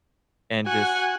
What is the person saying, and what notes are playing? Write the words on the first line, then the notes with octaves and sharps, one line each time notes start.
and just
F#4 F#5 G#5